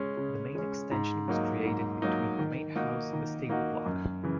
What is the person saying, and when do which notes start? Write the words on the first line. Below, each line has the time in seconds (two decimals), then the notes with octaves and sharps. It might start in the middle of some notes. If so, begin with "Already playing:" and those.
The main extension was created between the main house and the stable block.
Already playing: C#3 G#3 C#4
0.17 C#3
0.55 G#3 C#4
0.91 G#2
1.28 F#3 A#3 D#4
1.65 G#2
2.02 F#3 A#3 D#4
2.39 D#3
2.76 A#3 D#4 F#4
3.13 D#3
3.49 A#3 D#4 F#4
3.86 F#2
4.23 C#3 E3